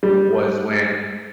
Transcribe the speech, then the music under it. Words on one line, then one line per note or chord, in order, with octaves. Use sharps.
was when,
G3